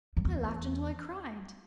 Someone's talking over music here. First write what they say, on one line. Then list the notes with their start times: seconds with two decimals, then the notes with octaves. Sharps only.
I laughed until I cried.
0.17 F#2
0.25 E2